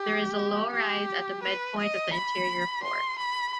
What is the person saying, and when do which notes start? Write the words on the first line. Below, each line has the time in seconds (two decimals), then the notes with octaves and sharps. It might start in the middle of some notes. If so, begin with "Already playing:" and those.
There is a low rise at the midpoint of the interior floor.
Already playing: G4
0.73 G4
1.43 B4
1.78 D#5
2.13 B5
2.83 C6
3.19 B5